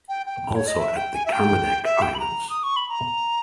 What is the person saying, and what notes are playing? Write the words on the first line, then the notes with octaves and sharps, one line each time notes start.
Also at the Kermadec Islands.
G5
G5
C#5
D#5
E5
G5
G#5
E5
G5
E5
G5
B5
A#5
D#6
C#6
B5
A#5